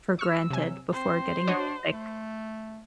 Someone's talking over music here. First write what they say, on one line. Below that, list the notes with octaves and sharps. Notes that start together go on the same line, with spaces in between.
for granted before getting sick.
C#6 E6 F6
C3 F#3 G#5
C4 C5
D4 F#4 C#5 D#5
A3